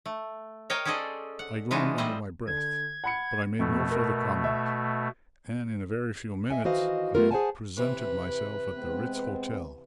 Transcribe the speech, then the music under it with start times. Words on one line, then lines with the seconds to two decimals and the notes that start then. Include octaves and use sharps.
I groaned under my breath, but I made no further comment; and in a very few minutes I presented myself at the Ritz Hotel.
0.06 A3
0.70 A#4 C#5 D#5 F5 G5
0.85 C#4 G#4 A4 C5 D5 D#5
1.39 F#5
1.71 E3 G#3 D4 D#4 F4 F#4
1.98 A2 G3 C4 C5 D#5
2.47 D3 G#6
3.04 F#5 B5 C#7
3.59 F2 B2 A3
3.91 A#4
4.44 E5
6.50 D#5 E5 G#5
6.64 D#3 E3 F#4 C5 D#5 F5
7.15 A3 B3 C4 F4 G4 A#4
7.31 G#4 C5 D5 F#5 G#5 A5
7.77 C3 E3 B4
8.77 G#3 B3 C4